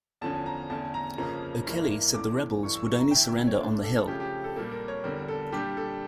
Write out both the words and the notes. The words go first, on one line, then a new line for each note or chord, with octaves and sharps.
O'Kelly said the rebels would only surrender on the hill.
E2 D3 F3 C#4 A5
A#5
E2 D3 A3 C#4 A5
A#5
F2 C#3 F3 A#3 C#4 A#5
G2 E3 A#3 E4
E2 E3 A3 C#4 D6
G2 E3 A3 C#6
E6
C#6
A#5
D3 A3 E4 G5
E5
C#5
A#2 A3 D4
A4
C#3 F3 A3 C#4 G4
G4
A4
A#2 G3 A#3 A4
A#4
C#5
E2 D3 G3 A#4
A4
A#2 G3 D4 G4
A4